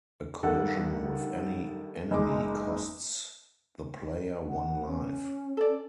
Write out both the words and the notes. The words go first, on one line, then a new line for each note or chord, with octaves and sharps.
A collision with any enemy costs the player one life.
G2 D#3 A4 F#5
F#1 G#3 D#4 D6
F#5
C#4
A4 D5